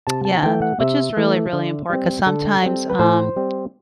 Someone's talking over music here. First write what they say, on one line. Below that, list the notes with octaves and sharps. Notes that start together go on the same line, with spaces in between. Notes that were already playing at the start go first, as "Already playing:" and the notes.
Yeah, which is really, really import 'cause sometimes, um,
C3 A5
A5
E3 A3 G5
F#5
C3 E5
E3 A3
D3
G3 C4
D3 A4
G3 C4
B4
A2 C5
G3 C4